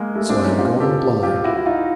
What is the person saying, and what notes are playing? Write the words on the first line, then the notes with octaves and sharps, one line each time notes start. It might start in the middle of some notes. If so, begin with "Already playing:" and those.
So I am going blind.
Already playing: G#3 A#3
G3 A3
C4 D4
C#4 D#4
F4 G4
G4 A4
F4 G4
E4 F#4
E4 F#4
D#4 F4